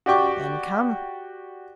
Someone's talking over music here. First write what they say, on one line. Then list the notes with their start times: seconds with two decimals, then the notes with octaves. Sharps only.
"Then come."
0.06 F#4 G4 D5 G5 C#6 D6